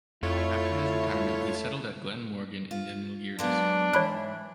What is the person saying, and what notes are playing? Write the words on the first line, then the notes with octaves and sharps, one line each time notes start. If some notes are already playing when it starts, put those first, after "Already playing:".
After his retirement he settled at Glen Morgan in the Nilgiris.
F2 A3 E4 F4 C#5
F4
F#3 G#3 A#3 B3 D4
G#2 E3 C#5 B5 F#6